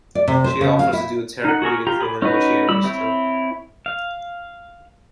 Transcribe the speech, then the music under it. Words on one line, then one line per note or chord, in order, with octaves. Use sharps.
She offers to do a Tarot reading for him which he agrees to.
D5
C3
C5
C#3
F5
E4
D#4 F#5
F#4 G#4 A#4 C#6
F4 G4 A#5
G#4 B5 D6
C#4 D#4 F#4 B4
G3 B5 E6
C4 E4 C#5
F5